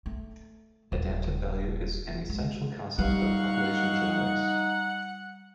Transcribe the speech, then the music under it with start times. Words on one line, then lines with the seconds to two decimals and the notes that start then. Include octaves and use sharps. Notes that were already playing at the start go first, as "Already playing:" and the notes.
Adaptive value is an essential concept of population genetics.
0.06 A3
0.92 D#1
2.29 G#3
2.98 G3 D#4 F5 F#5 C#6